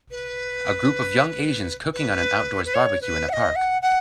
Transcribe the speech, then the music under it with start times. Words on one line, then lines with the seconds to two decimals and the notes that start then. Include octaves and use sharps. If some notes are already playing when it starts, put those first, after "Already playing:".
A group of young Asians cooking on an outdoors barbecue in a park.
0.11 B4
1.93 B4
2.65 B4
2.74 C#5
3.01 B4
3.29 F#5
3.33 D#5
3.56 F#5
3.82 F#5